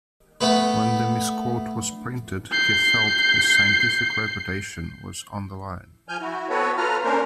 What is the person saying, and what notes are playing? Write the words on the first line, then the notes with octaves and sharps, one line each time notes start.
When the misquote was printed, he felt his scientific reputation was on the line.
A3 B3 B4
G6 C7
F3 G#5 F6 G6
E4 F#4
B3 C4 F#4 A4 B4 C#5
F4 A4 B4 A#5 F6
A#3 C#4 D4 A#4 C5